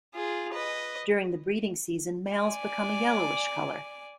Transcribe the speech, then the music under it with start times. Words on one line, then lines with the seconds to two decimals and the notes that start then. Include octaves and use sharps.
During the breeding season males become a yellowish colour.
0.15 F4 G#4
0.53 B4 D#5
2.32 D5 G#5